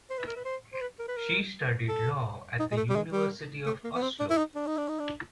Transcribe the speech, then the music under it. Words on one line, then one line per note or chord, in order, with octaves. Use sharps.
She studied Law at the University of Oslo.
C5
B4
A#4
B4
C5
C5
B4
A#4
B4
A#4
A4
D#4
G#3
A3
G3
G#3
G3
A3
A#3
B3
C4
D4
E4
D#4
D4
D#4
D4
D#4
D4